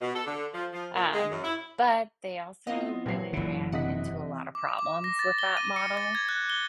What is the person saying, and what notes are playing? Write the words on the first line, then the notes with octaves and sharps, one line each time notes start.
um, but they also really ran into a lot of problems with that model.
B2
A4
D3
F3
F3
A#2
G#3
F#2
E4
B3 C4 E4 F4 D#5
A#2 F3 F#3 F#4 G4 A#6 C7
F#1 D3 E3 C4 E4
C3 D#5 F#5 B6
D6
D6
A#6
A6
G7
D#7
C#7
A6
G#6
F#6
G7